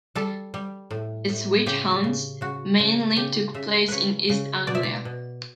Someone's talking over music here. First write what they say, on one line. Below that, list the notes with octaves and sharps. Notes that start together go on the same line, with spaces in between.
His witch-hunts mainly took place in East Anglia.
G3 A4
G3
A2
A2
C#3 G4
C#3
C#3 F#4
C#3
C#3 G4
C#3 E5
C#3 B4 C#5
C#3
B2 D5
E5
D5
B2